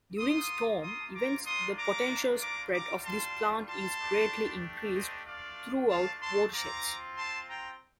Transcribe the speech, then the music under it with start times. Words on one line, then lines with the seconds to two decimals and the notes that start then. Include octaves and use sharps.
During storm events the potential spread of this plant is greatly increased throughout watersheds.
0.19 A#3 F4 C6 D#6
0.82 C6 D#6
1.14 A#5 D6
1.46 A#3 D4 F4 C6 D#6
1.77 A#5 D6
2.41 A#5 D6
2.72 G3 D4 F4 A#5 D6
3.04 A5 C6
3.67 A5 C6
3.99 A3 D4 G4
4.94 C5 D#5
5.26 A3 D4 F4 D5 F5
5.89 F5 A5
6.21 A5 C6
6.52 C4 F4 A#5 D6
7.16 A5 C6
7.48 G5 A#5